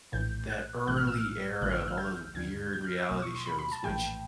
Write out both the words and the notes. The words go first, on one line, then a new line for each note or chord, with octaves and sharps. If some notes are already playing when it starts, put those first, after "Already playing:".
that early era of all those weird reality shows, which,
A#1 A2 E3 A3 G6
F#6
A#1 A2 E3 A3 F#6
F6
E6
F6
A1 G2 D3 F3 A3 F#6
F6
E6
F6
G6
D#2 D3 G3 G#6
G6
F6
E6
B1 B2 F#3 A3 D#6
C#6
C6
B5
B5
A5
A#1 A2 E3 A3 G5